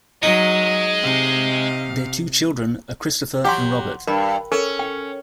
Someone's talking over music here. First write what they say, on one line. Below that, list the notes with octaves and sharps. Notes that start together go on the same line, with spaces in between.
Their two children are Christopher and Robert.
F#3 G#3 D#4 D#5
C3 F5
F#3 G4 F#5 C6
G2 A#4 B5
C#4 A4 A#4
G5